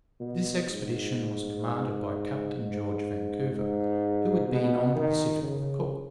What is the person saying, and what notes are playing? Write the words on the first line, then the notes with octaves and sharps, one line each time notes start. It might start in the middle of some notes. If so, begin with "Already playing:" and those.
This expedition was commanded by Captain George Vancouver, who had been on the Pacific with Cook.
B2
G#2
G#2
G#2
B2
D#3
C#3